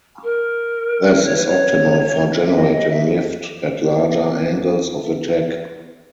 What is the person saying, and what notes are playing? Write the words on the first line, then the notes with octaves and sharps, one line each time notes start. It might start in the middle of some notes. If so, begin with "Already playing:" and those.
This is optimal for generating lift at larger angles of attack.
A#4
C#5
B4
C#5
E5
D#5
D#5
E5